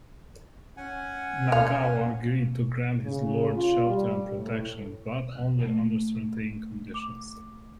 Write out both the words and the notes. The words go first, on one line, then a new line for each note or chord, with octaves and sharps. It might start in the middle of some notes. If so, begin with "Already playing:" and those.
Nagao agreed to grant his lord shelter and protection, but only under certain conditions.
C#4 F#5 G#5
F5
C#3
F4
G3
A2
A3
D6